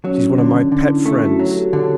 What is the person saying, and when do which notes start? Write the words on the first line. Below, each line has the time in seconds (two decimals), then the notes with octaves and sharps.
She's one of my pet friends.
0.05 F#3 C#4
0.22 D4
0.38 D3 C#4
0.71 D3 C#4
0.84 E4
0.89 D4
1.05 A3 E4
1.22 D4 F#4
1.39 F#3
1.50 G4
1.56 F#4 A4
1.73 D3 A4 C#5